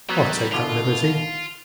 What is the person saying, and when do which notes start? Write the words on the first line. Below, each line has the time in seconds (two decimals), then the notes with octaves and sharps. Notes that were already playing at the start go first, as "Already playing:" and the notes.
"I'll take that liberty."
0.09 F#3 G3 B3
0.52 B2 D3 E4 F4